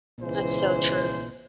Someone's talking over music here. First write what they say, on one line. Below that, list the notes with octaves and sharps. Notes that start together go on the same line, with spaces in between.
That's so true.
C#2 E3 C5